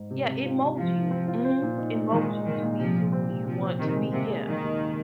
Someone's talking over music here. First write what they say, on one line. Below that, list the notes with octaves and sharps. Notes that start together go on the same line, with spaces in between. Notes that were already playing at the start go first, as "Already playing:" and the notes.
Yeah, it molds you. Mhm. It molds you to be who you want to be, yeah,
Already playing: G#2
C3
C3
F4
C3
F3 F4
C3
C4
F4
C5
A#2
D#4
D#4
D#3 G#3
D#4
A#2 D#3
A#2
C3 F3
C3
C4
C3
C3 F3
C4
C3 D#3
G#3
C3 A#3
G#4
D#3 G#4
D#2